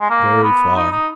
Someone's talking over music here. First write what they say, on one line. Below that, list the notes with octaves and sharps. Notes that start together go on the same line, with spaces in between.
"Very far."
G#3
A#3
B3
D#4
D#4